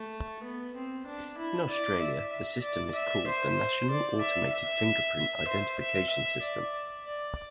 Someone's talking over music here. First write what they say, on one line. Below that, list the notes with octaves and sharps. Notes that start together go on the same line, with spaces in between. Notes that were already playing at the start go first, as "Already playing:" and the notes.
In Australia, the system is called the National Automated Fingerprint Identification System.
Already playing: A3
B3
C4
D4
E4
D5
E5
E5
D5
E5
C5
D5
E5
E5
C5
E5
E5
D5
D5